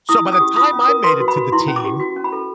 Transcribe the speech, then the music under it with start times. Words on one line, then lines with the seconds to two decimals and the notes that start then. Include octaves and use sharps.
so by the time I made it to the team,
0.09 E4 D#6
0.25 C#4
0.32 D#6
0.40 G4
0.56 F4 D#6
0.73 C#4
0.81 D#6
0.88 A#4
1.04 B4 C6
1.20 F#4
1.28 B5
1.37 F#4
1.52 E4 C6
1.68 C#4
1.76 D6
1.85 G4
2.00 F#4
2.16 C#4
2.24 B5
2.32 A4